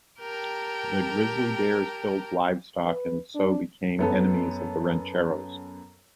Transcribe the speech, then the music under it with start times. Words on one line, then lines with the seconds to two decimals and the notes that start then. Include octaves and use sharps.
The grizzly bears killed livestock and so became enemies of the rancheros.
0.19 G4 A#4 G5 A5 A#5
2.85 B4
3.35 D4
3.99 F#2 B3 A4